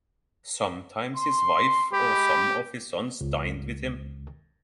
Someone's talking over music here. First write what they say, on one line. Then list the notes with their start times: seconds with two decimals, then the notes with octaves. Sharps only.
Sometimes his wife or some of his sons dined with him.
1.16 C6
1.93 G#3 G4 B5
3.21 C#2